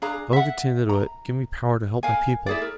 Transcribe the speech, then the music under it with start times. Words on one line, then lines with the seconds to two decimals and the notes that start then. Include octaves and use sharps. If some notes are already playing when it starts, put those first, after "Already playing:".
O Getanittowit, give me power to help my people.
0.02 D4 G#4 F5 A#5
0.33 E5 F#5
0.89 A#5
2.03 A#4 F5 G#5
2.46 E4 G#4 D5
2.62 A#4